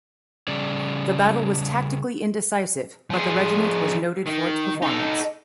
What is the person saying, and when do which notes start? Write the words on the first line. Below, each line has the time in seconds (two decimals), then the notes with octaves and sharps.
The battle was tactically indecisive, but the regiment was noted for its performance.
0.48 C#3 G3 C#4 G#4 D5
3.10 F3 G#4
4.26 D#3
4.82 D#4 A4